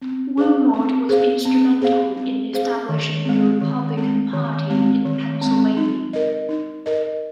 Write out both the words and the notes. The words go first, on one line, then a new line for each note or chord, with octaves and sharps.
Wilmot was instrumental in establishing the Republican Party in Pennsylvania.
C4
G#4 C5 F5
C4
G#4 C5 F5
C4
G#4 C5 F5
C4
G#4 C5 F5
D#3
G#3 C4
D#3
G#3 C4
D#3
G#3 C4
D#3
G#3 C4
D#4
A#4 D#5
D#4
A#4 D#5